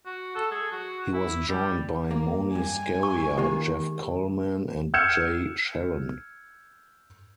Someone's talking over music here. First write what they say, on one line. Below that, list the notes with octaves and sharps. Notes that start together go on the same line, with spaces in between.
He was joined by Moni Scaria, Jeff Kollman and Jay Schellen.
F#4
A4
G#4
F#4
E4
G3
A#3
G2 G#5
C#6
D#3 G#3 A#3 G4
E6 F6 G6 G#6 C#7 E7